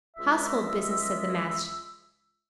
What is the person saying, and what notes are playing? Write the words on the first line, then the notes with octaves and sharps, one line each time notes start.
Household business, said the Master.
C#2 G#3 F4 D#5 E5 E6